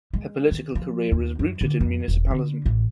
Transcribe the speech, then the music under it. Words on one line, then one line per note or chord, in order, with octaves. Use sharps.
Her political career is rooted in municipalism.
G#3
D#3
F3
D#2
F#2
D3
F2
E1
D3
A1